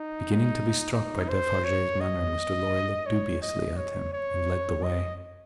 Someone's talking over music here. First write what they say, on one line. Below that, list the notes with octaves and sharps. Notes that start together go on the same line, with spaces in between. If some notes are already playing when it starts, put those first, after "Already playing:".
Beginning to be struck by Defarge's manner, Mr. Lorry looked dubiously at him, and led the way.
Already playing: D#4
D#4
C5
C#5
D#5
C#5
D#5
C#5
C#5
D#5